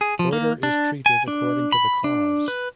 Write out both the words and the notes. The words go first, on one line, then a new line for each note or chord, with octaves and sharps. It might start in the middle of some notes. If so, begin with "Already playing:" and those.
Goitre is treated according to the cause.
G#4
F3
A#3
D4
G#5
D4
B5
D4
B4